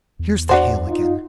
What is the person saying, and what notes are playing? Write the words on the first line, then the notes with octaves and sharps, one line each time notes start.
Here's the hail again.
E2
D4 F#4 C5
D#4 F4